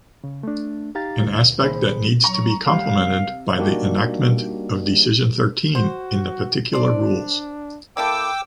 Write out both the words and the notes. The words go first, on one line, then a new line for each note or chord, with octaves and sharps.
An aspect that needs to be complemented by the enactment of decision thirteen in the particular rules.
C#3
A3 D4
D#4 G4 F5 A#5 A6
D2
C2 A#2 D#3 G#4 C5 B5
F#3 A#5 C#6
D2 G3 F5
C3
G3 A#3 D4 D#4 F#4 G4
F#4 C5
D4 C5 D5
A#3 E4 A4 G5 D6 E6